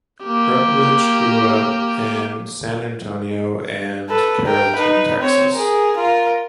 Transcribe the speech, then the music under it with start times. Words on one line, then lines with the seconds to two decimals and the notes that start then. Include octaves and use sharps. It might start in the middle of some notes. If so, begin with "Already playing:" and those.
Rutledge grew up in San Antonio and Carrollton, Texas.
0.25 A#3 G4
4.09 A4 B4
4.46 A#4 G5
4.75 D#4 B4
5.19 C4 C#5
5.53 G#4 A#4
5.96 F4 A#4